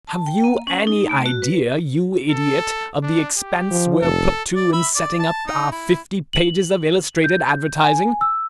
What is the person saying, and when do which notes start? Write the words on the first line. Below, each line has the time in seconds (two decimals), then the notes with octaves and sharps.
Have you any idea, you idiot, of the expense we're put to in setting up our fifty pages of illustrated advertising?
0.07 A5
0.26 G5
0.44 A#3
0.67 C#4
0.87 D#4
1.09 A3
1.26 F#4
1.42 B4
2.30 A4
3.03 D4
3.38 G4
3.71 F3
4.02 F1 A4
4.56 D5
4.73 E5 B5
4.95 D5
5.19 A5
5.47 D#4
5.72 E4
6.33 F#7
7.24 G6
7.83 G#5
8.21 E6